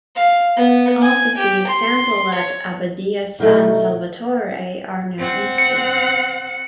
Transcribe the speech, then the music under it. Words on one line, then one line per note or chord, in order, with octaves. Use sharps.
All but the example at Abbadia San Salvatore are now empty.
F5
B3
G#5
G4
C6
C#5
B2 D#3 F#3 A3
C4 F#5
C#7